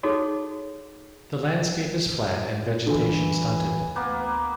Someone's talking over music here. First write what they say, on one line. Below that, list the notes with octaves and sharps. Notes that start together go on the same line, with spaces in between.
The landscape is flat and vegetation stunted.
D#4 F#4 G#4 A4 C#5
D3 E3
D2 A#3 B3